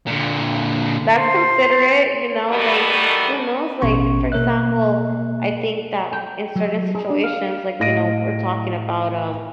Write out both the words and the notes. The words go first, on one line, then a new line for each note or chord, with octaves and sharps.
that's considerate, you know? Like, who knows? Like, for example, I think that in certain situations like, you know, we're talking about, um,
A#2 D3
C5
B2 D#3 E3 G3 A3 B3
A1 B2 B3 C#4 C6 C#6
B2 A#3 A#4 C#5 E5 F#6
G5
F#3
G#4
D4
F5
A2 D#5 F5 A#6 D7 D#7